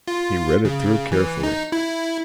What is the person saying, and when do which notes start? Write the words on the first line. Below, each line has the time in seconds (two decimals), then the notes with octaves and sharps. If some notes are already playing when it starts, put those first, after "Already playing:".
He read it through carefully.
0.07 F4
0.65 C#3
1.12 E3
1.43 D#4
1.72 E4